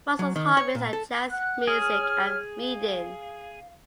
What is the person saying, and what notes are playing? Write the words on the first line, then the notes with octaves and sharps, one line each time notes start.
Rusol's hobbies are jazz music and reading.
F#3
D#3
C#5
A#2
A4
F#5 F#6
G#4 C#5 F6
F5